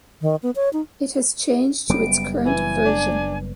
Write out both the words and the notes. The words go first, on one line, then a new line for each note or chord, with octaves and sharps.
It has changed to its current version.
D#3
B3
C#5
D#4
F#1 G3 B3 D7
E3 G#5
D4